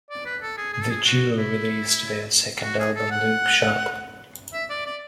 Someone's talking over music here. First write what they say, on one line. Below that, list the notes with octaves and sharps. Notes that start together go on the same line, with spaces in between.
The duo released their second album Look Sharp!
D5
B4
A4
G#4
G#4
A4
G#4
F#4
E4
F#4
G#4
A4
F#5
E5
D5
D5